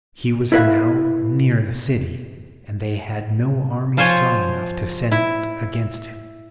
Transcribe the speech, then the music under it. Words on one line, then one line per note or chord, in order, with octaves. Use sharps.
He was now near the city, and they had no army strong enough to send against him.
E4 A4 B4 E5 F5
F3 F4 C5 C#5 G#5
E4